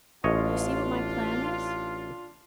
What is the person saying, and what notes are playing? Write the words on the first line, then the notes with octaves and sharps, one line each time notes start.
You see what my plan is?
A1 D4 F4 C#5 D#5